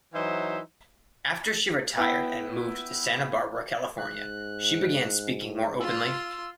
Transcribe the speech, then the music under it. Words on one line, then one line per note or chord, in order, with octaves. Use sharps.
After she retired and moved to Santa Barbara, California, she began speaking more openly.
E3 F#3 D#4 C5 E5
B3 E4 F#5 G5 B5
G#2 F#6
F4 C6 E6